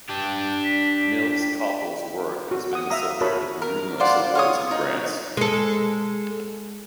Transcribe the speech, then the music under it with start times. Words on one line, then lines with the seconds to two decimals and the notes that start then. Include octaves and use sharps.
Mills-Cockell's work has been the subject of numerous awards and grants.
0.10 D4 G4
0.64 B6
1.40 G5
2.51 F#4
2.73 F#5 D#6
2.90 E5 F5 A#5 D#6
3.21 F#4 A#4 C#5 A5 B5 D#6
3.62 A#4
4.00 F4 C5 D5 F#5
4.35 F4 C#5 D#6
4.71 D#4
5.37 G#3 A4